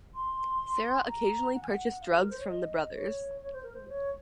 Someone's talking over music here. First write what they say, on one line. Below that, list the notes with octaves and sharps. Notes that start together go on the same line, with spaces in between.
Sarah occasionally purchased drugs from the brothers.
C6
A#5
F#5
G#5
F#5
F5
G#4
A#4
C5
C#5
D#5
C#5
C#5
C5
A#4
C5
C#5